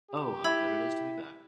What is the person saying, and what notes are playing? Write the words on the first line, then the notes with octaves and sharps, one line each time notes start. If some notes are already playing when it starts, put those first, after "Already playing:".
Oh, how good it is to be back!
G4
E4 B5 E6 G#6